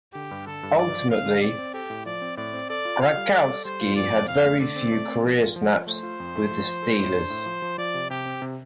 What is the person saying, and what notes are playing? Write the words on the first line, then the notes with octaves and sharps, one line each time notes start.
Ultimately, Gradkowski had very few career snaps with the Steelers.
D3 G4
G2
D3 A4
G2
G2 D5
F3
G2 F5
D3
C4 D5
C4
G4 A4
A2
F3 D5
C4
A2 D5
C4
A4 D5
F4
A4 F5
G3
A4 D5
A4
G3 C5
F4
F2 D5
F2
F2 F5
A3
D3 D5
C4
A3
C4
F3
F4
F3
F3
A3 C5
F4
F2
A3
F3
F3
A4
A2
D4
A2
F3
F3
F3 D5
C3
C3 G4
C4
C3